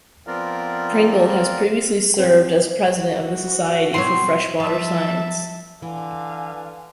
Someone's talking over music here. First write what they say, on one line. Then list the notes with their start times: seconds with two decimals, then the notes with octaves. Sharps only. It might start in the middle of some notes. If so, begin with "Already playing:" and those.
Pringle has previously served as President of the Society for Freshwater Science.
0.27 F3 B3 C4 F4 A#4 D5
2.19 C4
3.03 F#4
3.94 B2 C4 C#5 C6
4.60 F3 E5 A5
5.82 D3 E3 F5 G#5